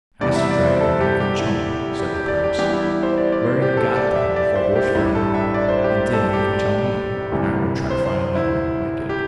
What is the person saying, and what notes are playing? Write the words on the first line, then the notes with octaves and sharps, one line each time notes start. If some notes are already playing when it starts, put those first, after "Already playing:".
'Ask the dragon when he comes home,' said the prince, 'where he got that wonderful horse from, and then you can tell me, and I will try to find another like it.'
E2 C3 E3 G3 D5
E5
D5
C5
A4
G4
G4
E4
G4
G4
D5
G4
E2 E3 G3 G4
E4
C5
D5
D5
C5
G4
A4
D5
E5
D5
C5
G4
A1 G2 G3 E4
A4
E5
D5
C5
G4
A4
G4
D5
D2 C3 E3 G3
C5
C5
E4
G4